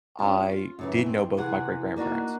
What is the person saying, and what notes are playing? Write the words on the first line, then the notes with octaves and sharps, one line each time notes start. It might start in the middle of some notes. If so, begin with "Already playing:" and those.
I did know both my great-grandparents,
C#4 F4
F4
F#2 C#3 E3
C4
C3 E3 G#4 F#5
A#3 D4 D#4 F#4